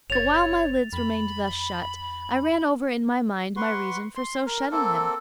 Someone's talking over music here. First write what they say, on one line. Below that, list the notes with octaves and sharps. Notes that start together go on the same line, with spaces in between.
But while my lids remained thus shut, I ran over in my mind my reason for so shutting them.
F#1 C#5 A6 F7
F2 B5
B4 F#5 C6 C#6
C6
A#4
A#3 C4 A4